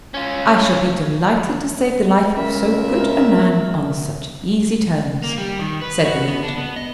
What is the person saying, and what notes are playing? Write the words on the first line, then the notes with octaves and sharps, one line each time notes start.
"I shall be delighted to save the life of so good a man on such easy terms," said the lord.
C#4 F4
C#2 A#4 E5
A#3
G3
D#3
B4
F#4
B3
D4
B3
D#5